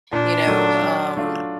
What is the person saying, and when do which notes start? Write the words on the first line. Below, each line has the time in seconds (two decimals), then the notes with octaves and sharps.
you know, um,
0.12 A#2 D4
0.47 F#3 A3
0.82 F#3
1.17 A3 D4 F4